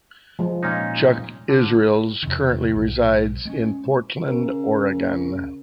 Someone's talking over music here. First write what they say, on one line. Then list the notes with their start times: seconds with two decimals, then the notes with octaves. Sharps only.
Chuck Israels currently resides in Portland, Oregon.
0.39 F3 G#3
0.63 A#2 C#4 D#4
1.49 D3
2.23 E2 C3 D#3
2.74 B1
3.45 G#3 C4 C#4
4.28 C#3 A#4